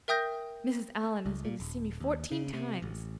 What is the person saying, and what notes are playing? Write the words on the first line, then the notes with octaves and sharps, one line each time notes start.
Mrs. Allan has been to see me fourteen times.
A#4 E5 G5 D#6 G6 A#6
C#2
A#2
D#1
D#2
C#3
C3
A1